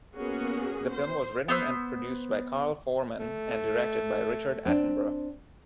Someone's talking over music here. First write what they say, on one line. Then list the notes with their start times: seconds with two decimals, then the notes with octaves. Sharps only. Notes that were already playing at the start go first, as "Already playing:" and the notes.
The film was written and produced by Carl Foreman and directed by Richard Attenborough.
0.15 A#3 B3 C#4 F#4 G#4
0.90 C5
1.48 B3 C5 E6
3.19 A3
4.66 C4 D4